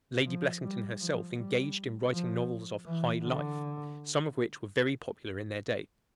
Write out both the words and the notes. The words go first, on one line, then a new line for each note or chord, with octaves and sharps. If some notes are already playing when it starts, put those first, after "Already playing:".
Lady Blessington herself engaged in writing novels of "high life," some of which were very popular in their day.
F3
G3
F3
G3
F3
E3
D3